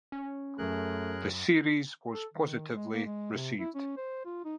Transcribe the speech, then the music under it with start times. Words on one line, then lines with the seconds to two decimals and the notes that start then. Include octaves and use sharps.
The series was positively received.
0.12 C#4
0.58 F#2 A3 G#4 A#4 F#6
2.13 A4
2.33 D#3
2.75 G#3
2.93 A#3
3.05 G#3
3.33 C3
3.60 E4
3.75 C#4
3.97 C5
4.25 F4
4.45 D#4